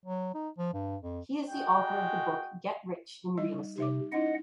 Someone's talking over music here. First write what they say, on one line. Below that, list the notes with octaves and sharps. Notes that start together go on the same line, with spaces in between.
He is the author of the book "Get Rich in Real Estate".
F#3
D#4
F3
G2
F2
G#3 F#4 G5
G3 D#4 D#5
C3 D#4 E5 D6
C#4 D#4 E4 D#5 F#5